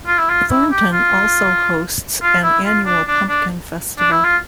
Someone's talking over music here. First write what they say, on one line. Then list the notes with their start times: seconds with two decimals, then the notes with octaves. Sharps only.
Thornton also hosts an annual Pumpkin Festival.
0.07 F4
0.18 E4
0.29 F4
0.50 E4
0.71 G4
0.93 F4
2.22 F4
2.43 E4
2.65 F4
2.86 D4
3.07 D4
3.29 D4
3.99 D4
4.11 E4
4.24 F4